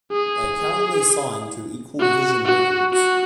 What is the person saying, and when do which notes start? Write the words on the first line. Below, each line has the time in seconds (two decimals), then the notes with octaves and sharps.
They are currently signed to Equal Vision Records.
0.12 G#4
2.00 F#4
2.46 F#4
2.93 F#4